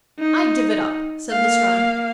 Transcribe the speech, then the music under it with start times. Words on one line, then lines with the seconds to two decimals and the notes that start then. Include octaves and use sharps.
"I give it up," said Lestrade.
0.19 D#4
1.31 A#3 F5